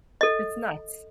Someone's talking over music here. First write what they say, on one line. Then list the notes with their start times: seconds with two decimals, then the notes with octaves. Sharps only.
it's nuts.
0.21 A4 D#5